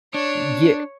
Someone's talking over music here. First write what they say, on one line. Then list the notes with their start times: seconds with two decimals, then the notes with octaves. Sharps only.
Y yeah Eh
0.14 D4 C#5